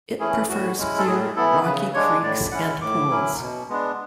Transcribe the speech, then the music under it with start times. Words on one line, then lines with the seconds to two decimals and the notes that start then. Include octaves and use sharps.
It prefers clear, rocky creeks and pools.
0.20 E3 A3 C#4 E4 G#4
0.48 A2 F#4
0.78 G#3 C#4 E4
0.98 A4
1.07 A2 G#4
1.36 E3 B3 E4 A4
1.65 C#3 B4
1.94 G#3 D4 C#5
2.23 A2 D5
2.52 G#3 C#4 E4 F#5
2.81 A2 D6
3.10 F#3 C#4 E4
3.40 B2
3.69 G#3 B3 D4